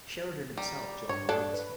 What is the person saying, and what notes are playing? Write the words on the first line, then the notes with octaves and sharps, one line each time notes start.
Sheridan himself joined Grant.
G3 A#5
G2 C#5
D4 A4
B4